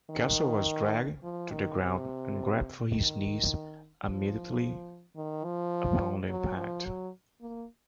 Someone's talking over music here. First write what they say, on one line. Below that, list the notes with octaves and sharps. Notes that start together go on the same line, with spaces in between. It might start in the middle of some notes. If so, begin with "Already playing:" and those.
Cassel was dragged to the ground and grabbed for his knee immediately upon impact.
D#3
F3
D#3
C3
D#3
F3
D#3
F3
F#3
F3
F#3
A#3